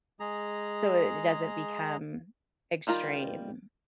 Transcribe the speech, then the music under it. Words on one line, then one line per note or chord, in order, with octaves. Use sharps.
so it it doesn't become extreme.
G#3 G#4 A#5
D#3 G3 F4 A#4